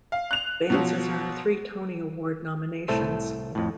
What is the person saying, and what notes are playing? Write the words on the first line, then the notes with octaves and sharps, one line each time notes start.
Vance has earned three Tony Award nominations.
F5
F#6 F7
B2 F3 F#3
C2 A2 A3 A4 C5
F2 A2